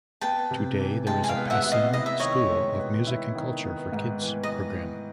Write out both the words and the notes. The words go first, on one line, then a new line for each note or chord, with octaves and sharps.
Today there is a Passim School of Music and Culture for Kids program.
B3 G5 A5
C3
E3
G#3 G5 A5
G#5
F5 G5
B3
E5 F#5
C3 F#5
D#5 F5
E4 D#5
E5
D#3 C#5 D#5
G#3
B3
E4
D#3
B3
G#2
E3
D#5